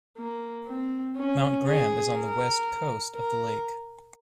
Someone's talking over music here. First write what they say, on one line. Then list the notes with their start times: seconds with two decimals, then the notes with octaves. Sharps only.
Mount Graham is on the west coast of the lake.
0.18 A#3
0.67 C4
1.17 C#4
1.67 G#4
2.16 A#4
3.15 A#4